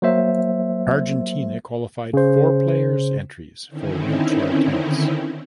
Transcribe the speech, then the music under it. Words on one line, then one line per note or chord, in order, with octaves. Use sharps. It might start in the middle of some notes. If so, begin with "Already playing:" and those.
Argentina qualified four players entries for wheelchair tennis.
F#3 A#3 C5 E5
C#3 C5
D3 D#3 C4 C#4 D#4 E4